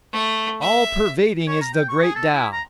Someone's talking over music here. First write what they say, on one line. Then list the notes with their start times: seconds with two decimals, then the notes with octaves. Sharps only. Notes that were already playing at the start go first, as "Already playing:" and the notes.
All-pervading is the Great Tao!
0.13 A3
0.61 E5
1.47 C#5
1.61 A#5
1.73 G5
1.89 C#6
2.02 G#4
2.15 A4
2.33 E4
2.53 A#5